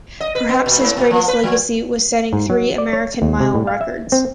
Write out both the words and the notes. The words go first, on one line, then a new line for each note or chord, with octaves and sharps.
Perhaps his greatest legacy was setting three American mile records.
D#5
B4
B3
A#2
G#2
A#2
F3
B4
F3
G#2
F#3
D5
C#5
D#2
C3
A2
F5
E5
C4